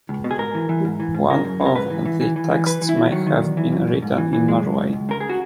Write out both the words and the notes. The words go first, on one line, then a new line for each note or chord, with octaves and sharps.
One of the texts may have been written in Norway.
C#2
B2
G#4
G#2 A#4
E3
E3
G#2
E3
G#2
C#3 A#4
F#2
C#3
A#4
G#2 B4
E3
E3
E3
E3
E3
E3 B4
E3
E4
E3
D#3 F#3
D#3
E2
E3
F#2
F#2
G#2
E3
E3
F#2 G#3
F#2
F#2
C#2
C#3 A#4
G#4
F#4